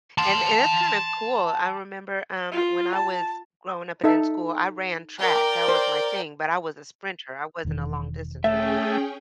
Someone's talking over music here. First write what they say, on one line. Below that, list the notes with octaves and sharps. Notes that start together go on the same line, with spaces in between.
And and it's kinda cool. I remember, um, when I was growing up and in school, I ran track. That was my thing, but I was a sprinter. I wasn't a long-distance runner,
A5 C6
F4
A5
D#4 A4 E5
A#4 D5 G5
C5
E1 D#3
A3 C#4 G#4 E5 G5